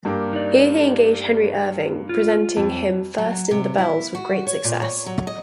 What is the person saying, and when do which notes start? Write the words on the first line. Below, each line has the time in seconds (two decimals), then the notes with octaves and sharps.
Here he engaged Henry Irving, presenting him first in "The Bells", with great success.
0.05 G2 A#3 G4
0.33 D#4 D5
2.09 F4
2.56 F2
3.18 F#3
3.51 C3
3.78 E4
4.15 F#4
4.47 C#5
4.64 A#2
4.82 C#5
5.06 F#3
5.27 D#5